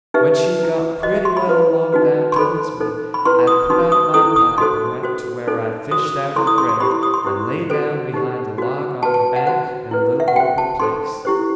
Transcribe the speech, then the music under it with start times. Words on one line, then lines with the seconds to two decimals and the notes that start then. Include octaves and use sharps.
When she'd got pretty well along down towards me, I put out my pipe and went to where I fished out the bread, and laid down behind a log on the bank in a little open place.
0.14 D#4 G4 B4 E5
0.59 E4 B4
1.03 F#4 C5 D#5
1.14 E5
1.25 C6
1.37 B5
1.47 E4 B4
1.92 D#4 F#4 B4
2.32 C6
2.36 D#4 A4 C5 B5
2.80 D#4 A4 C5
3.14 B5
3.25 E4 B4 C6
3.47 D#6
3.70 D#4 F#4 B4 C6
3.92 D#6
4.14 E4 A4 C5 D#6
4.36 D#6
4.58 D#4 F#4 A4 C5 C6
5.03 F#4 C5
5.47 D#4 A4 C5
5.91 F#4 C5 D#6
6.36 E4 A4 C5 C6
6.47 D#6
6.58 C6
6.69 C6
6.80 E4 G4 C5 B5
6.91 C6
7.03 D#6
7.14 C6
7.25 E4 G4 C5
7.70 F#4 A4 C5
8.14 D#4 G4 C5
8.58 F#4 C5
9.03 F#4 B4 A5
9.14 A5
9.36 F#5
9.47 F#4 C5 F#5
9.91 E4 B4
10.20 E5
10.28 F#5
10.36 F#4 C5 G5
10.58 A5
10.80 D#4 A4 C5 C6
11.25 E4 G4 C5